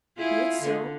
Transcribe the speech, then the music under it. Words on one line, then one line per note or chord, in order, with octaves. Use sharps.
Be it so.
E4 F4 G#4
D3